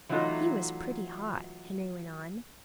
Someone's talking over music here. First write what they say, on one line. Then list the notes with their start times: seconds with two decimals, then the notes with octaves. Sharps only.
"He was pretty hot," Henry went on.
0.09 E3 F#3 A3 D#4 F4 A4